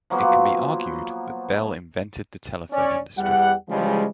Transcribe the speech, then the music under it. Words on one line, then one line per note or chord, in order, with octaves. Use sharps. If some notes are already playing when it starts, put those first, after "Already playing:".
It can be argued that Bell invented the telephone industry.
F3 F#3 A#3 B3
C#4 D5
E2 G3 F#5
C#3 E3 F3 G3 G#3